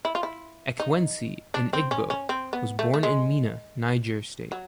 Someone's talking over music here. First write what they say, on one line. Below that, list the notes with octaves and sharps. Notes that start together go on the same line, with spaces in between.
Ekwensi, an Igbo, was born in Minna, Niger State.
E4
F4
E4
D#4
D4
C4
C#4
C#4
C4
B3
A3
A3
G#3
F#3